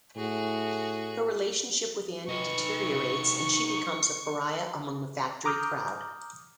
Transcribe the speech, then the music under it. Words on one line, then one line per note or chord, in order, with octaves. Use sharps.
Her relationship with Andy deteriorates and she becomes a pariah among the Factory crowd.
A2 F#4 G#4
D#4 B4 C#6
A#5 D6 D#6 F6 G6